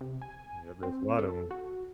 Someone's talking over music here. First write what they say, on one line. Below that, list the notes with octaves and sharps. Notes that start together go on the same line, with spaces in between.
Yeah, there's a lot of 'em.
C3
G#5
C4
A4
F#4